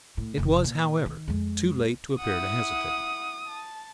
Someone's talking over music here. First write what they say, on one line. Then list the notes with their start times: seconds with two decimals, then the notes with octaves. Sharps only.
It was, however, too late to appear to hesitate.
0.17 A2
0.37 F1 C#3
0.64 A#2
1.06 D#3
1.28 F2 G#3
2.20 E4 F#5 D#6
3.47 A5